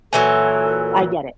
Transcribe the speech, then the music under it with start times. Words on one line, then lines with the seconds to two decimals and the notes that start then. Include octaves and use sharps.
I get it.
0.13 A#2 E3 F#3 A4 G#5